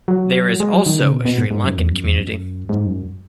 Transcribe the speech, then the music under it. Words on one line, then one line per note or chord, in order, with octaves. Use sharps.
There is also a Sri Lankan community.
F#3
G#3
F#3
D#3
C#3
B2
B2
G#2
G#2
F#2
E2
F#2
E2
F#2
G#2
F#2